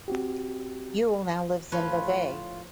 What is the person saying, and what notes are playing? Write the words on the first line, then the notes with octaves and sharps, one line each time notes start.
Uhl now lives in Vevey.
C4 F#4 G4
A2 F3 F4 B4 C#5